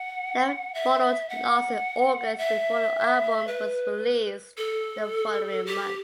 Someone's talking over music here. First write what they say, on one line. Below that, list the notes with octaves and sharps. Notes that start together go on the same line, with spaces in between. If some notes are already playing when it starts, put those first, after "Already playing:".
Then followed "Lost" in August before the album was released the following month.
Already playing: F#5
E5
F#5
E5
B4
A4
G4